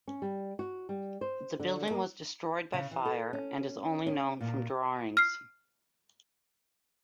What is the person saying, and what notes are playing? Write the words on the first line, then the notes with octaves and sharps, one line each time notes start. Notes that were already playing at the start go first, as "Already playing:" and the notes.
The building was destroyed by fire and is only known from drawings.
C#4
G3
F#4
G3
C5
D3
A#3
C#3
E3
A4
C#4
C#4
A#2
F6 C7